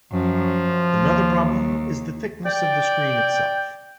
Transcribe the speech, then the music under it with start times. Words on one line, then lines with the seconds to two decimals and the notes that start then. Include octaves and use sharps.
Another problem is the thickness of the screen itself.
0.12 F#2 F3
1.03 D#2
2.45 D5 G5